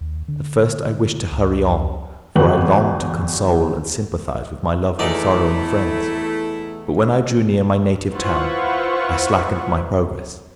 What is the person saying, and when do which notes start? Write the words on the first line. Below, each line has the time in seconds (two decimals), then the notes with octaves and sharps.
At first I wished to hurry on, for I longed to console and sympathise with my loved and sorrowing friends; but when I drew near my native town, I slackened my progress.
0.01 D#2
0.28 D3
1.32 C#2
2.35 G1 E2 F#4 B4 G5 F#7
4.99 E2 A3 D#4 E4 D5
8.14 E4 F4 B4 C5 F#5 C#6